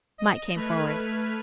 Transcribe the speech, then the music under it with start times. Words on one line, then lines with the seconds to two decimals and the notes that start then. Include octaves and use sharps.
Mike came forward.
0.18 D#5
0.56 A3 B4 F6 G#6